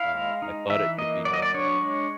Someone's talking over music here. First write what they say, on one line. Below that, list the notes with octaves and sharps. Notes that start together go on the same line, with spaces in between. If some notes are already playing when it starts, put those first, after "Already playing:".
Uh, I thought it could be done better.
Already playing: E4 F5
G#3
D#4
E3 E5
A#3 D#5
F#3 D5
D#5
D5
D4 C#5
G#3